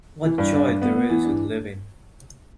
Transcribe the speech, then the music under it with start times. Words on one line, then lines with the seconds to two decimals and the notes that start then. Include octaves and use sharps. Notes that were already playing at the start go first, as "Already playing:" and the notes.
What joy there is in living.
0.25 E3
0.38 G2
0.52 D4
0.67 G2
0.82 B3
0.95 B3
1.10 E3
1.25 D4